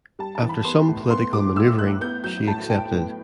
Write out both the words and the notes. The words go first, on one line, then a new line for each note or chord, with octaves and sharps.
After some political manoeuvring, she accepted.
G3 A5
A5
E3
B5
B3 C6
A2
B3 C6
G3 D6
A2 E6
A2 F#6
B3 G6
F#3 G6
A2 A5
A2 G5
B3